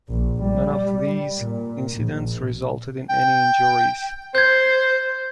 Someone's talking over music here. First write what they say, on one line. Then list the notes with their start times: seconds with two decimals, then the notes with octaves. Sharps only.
None of these incidents resulted in any injuries.
0.11 A#1
0.44 G3
1.39 A#2
1.97 A#1
3.10 G5
4.35 C5 G6 G#6